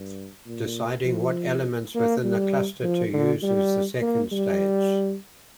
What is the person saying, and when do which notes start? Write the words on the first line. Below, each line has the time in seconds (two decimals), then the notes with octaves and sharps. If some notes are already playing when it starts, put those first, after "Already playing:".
Deciding what elements within the cluster to use is the second stage.
Already playing: G2
0.46 A#2
1.05 F3
1.94 A#3
2.24 G3
2.83 F3
3.13 D3
3.43 G3
4.02 A#3
4.32 G3